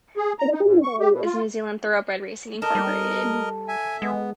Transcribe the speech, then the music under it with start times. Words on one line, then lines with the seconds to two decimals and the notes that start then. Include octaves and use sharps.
The governing body is New Zealand Thoroughbred Racing Incorporated.
0.17 G#4
0.39 A#5
0.52 D#4
0.64 G#2
0.83 C#6
1.00 G4
1.12 B2
1.24 F4
2.62 A4 A#4 D#5
2.75 G3
3.68 E5 G#5
4.02 G#3 B3